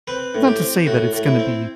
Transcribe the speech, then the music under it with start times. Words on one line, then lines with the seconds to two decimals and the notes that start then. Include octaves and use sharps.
Not to say that it's gonna be
0.08 C4 B4
0.35 A2
0.47 G4
0.60 C4
0.86 A2 F#4
1.13 A2
1.26 E4
1.39 C4